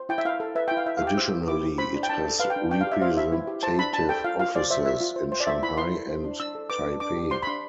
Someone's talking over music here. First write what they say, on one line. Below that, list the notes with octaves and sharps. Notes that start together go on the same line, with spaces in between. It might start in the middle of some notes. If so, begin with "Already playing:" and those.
Additionally, it has representative offices in Shanghai and Taipei.
Already playing: C5
E4 G5
E5
E4 F5
A4
B4 E5
E4 G5
F5
E4 E5
F5
G4
G5
C5 E6
E4
E4 D6
G4
C5 B5
D4
G5
D4 A5
A4
B4 F5
G5
D4
D4 G5
F5
G4 E5
C5 F5
E4 E5
E4
G4
C5 A5
D4 B5
D4 A5
A4 G5
F4 F5
F4 F5
C5 D5
C5 E5
F4 E5
F4
C5
C5
D5
C5 E5
E4 B5
E4 C6
A4
C5
D4
D4 E6
A4
B4 D6
D4
D4 D6
G4
C5 C6
B5
D4 C6